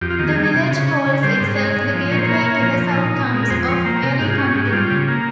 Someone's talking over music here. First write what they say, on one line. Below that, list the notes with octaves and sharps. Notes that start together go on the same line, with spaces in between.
The village calls itself the "Gateway to the Southtowns" of Erie County.
F2 G4
F4
D#3 G4
G#4
G3
C3
C#3
C#4
C#3
G3 C5
G#2
G#3
G#2
F3
A#2 C#5
C5
A#3 C#5
A#2
F3
A#2
D#4
A#2
G#3
A#4
F2 C5
F3 C#5
A#3 C5
C3 A#4
G#2 G4
F4
C#4 G4
G#2 G4
G4
G3 F4
C#3
A#3